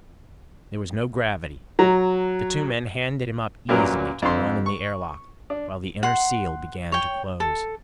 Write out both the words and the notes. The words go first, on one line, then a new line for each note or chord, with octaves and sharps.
There was no gravity; the two men handed him up easily to the one in the airlock while the inner seal began to close.
F#3 A#5
F#2 A#2 F#3 G3 A#4 B4
F2 D3 C4 C6
C#6
D4
F#5 C6
C#5 G5
A4